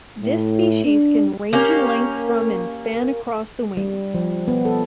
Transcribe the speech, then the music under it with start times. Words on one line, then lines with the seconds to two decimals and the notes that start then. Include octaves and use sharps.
This species can range in length from and span across the wings.
0.21 A2
0.84 D4
1.53 A#3 C#4 G4
3.77 G3
4.14 F3
4.48 B3
4.65 A4